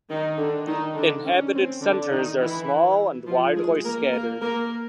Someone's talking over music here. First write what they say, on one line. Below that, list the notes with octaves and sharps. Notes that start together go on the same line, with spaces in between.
Inhabited centers are small and widely scattered.
D#3 D#4
D3 D4
D#3 D#4
D3 D4
C#4
C4
D3 D4
D#3 D#4
E3 E4
F3 F4
G#3 G#4
A#3 A#4
A#3 A#4
A#3 A#4